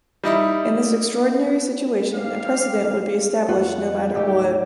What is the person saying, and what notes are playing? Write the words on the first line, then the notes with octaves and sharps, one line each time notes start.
In this extraordinary situation, a precedent would be established no matter what.
G3 D#4 E4
G4 F5
F2 F4 F#4 F#5
D2 G#2 A3 G4